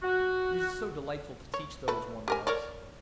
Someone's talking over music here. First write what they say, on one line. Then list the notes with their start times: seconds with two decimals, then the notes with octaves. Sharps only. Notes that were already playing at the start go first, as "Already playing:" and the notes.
It is so delightful to teach those one loves!
0.03 F#4
1.54 C#5
1.88 A3 B4
2.28 G4 A#4 G#5
2.47 A#4 C#5 D5